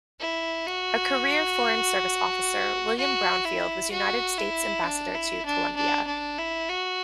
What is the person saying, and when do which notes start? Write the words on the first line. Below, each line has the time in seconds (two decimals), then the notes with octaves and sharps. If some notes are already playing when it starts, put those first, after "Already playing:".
A career Foreign Service Officer, William Brownfield was United States Ambassador to Colombia.
0.20 E4
0.66 F#4
2.98 F#4
3.45 E4
3.91 F#4
4.37 E4
4.84 D4
5.14 E4
5.45 D4
5.76 D4
6.07 D4
6.38 E4
6.69 F#4